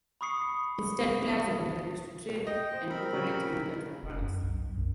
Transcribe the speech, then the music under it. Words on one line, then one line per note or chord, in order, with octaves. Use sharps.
Instead, players are encouraged to trade and cooperate in order to advance.
B5 C#6 D#6 C7 C#7
D#5 G5
C5
C4 A#4 B5
A#2 C#3 G3
F1
F#2
B1
B1
F#2